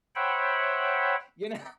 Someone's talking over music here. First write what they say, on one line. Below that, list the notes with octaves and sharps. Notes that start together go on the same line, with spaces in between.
you know?
C5 C#5 E5 F#5 G5 B5